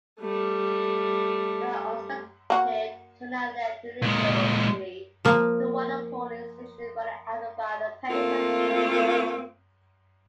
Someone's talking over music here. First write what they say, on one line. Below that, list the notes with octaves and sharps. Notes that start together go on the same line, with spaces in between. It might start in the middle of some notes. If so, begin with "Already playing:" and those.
The unexpected turnout led unusually to one polling station running out of ballot papers.
G3 A3
A#3 F#4
A#2 G#3
F3 A#3
A3 A#3 C4 F4